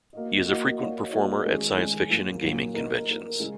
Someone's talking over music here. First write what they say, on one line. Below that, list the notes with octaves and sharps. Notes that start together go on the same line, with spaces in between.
He is a frequent performer at science fiction and gaming conventions.
A#3 F#4 D#5
A#3 F#4 D#5
A#3 D#4 F#4 C#5
A#3 D#4 F#4 C#5
D#3 G#3 C#4 G#4
D#3 G#3 C#4 G#4
A#2 F#3 A#3
A#2 F#3 A#3
A#3 D#4 A#4
A#3 D#4 A#4
C#3 G#3 C#4